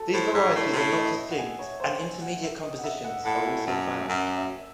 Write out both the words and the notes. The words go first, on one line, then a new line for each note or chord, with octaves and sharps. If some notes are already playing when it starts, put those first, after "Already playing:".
These varieties are not distinct and intermediate compositions are also found.
Already playing: F#4 A4
A2 C5
G#2 C#5
A2 D#5
C3
A2 C#5
D#5
E5
F#5
G#5
C#5
C5
G#5
F#5
E5
D#5
F#5
E5
F#5
A2 F#5
G#5
F#2 A5
G#5
F#2
E5